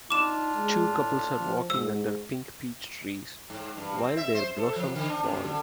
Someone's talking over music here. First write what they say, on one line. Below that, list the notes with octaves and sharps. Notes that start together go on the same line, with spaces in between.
Two couples are walking under pink peach trees, while their blossoms fall.
D4 D#4 F4 D6 F6 E7
G#3
A2
F3
G#2 E6
G#2
G2
C4
E5
C5
A4
F3
D3
D4
F#2
D3